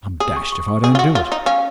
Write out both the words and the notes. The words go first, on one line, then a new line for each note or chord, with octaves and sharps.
'I'm dashed if I don't do it.
G#4 D#6
C#6
C#6
C#6
G#4
F4
F#4
F4
D#4
C#4 F5